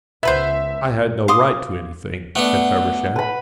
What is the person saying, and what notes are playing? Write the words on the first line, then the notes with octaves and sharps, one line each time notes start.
"I had no right to anything," said Feversham.
C#2 B3 B4 C5 E5
F5 C6 D6 D#6
A3 B3 D4 F#5
B4 B5